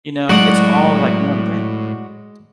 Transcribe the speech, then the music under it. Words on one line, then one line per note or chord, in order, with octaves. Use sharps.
you know, it's all like one thing.
A2 F#3 G#3 F#4 D5 F#5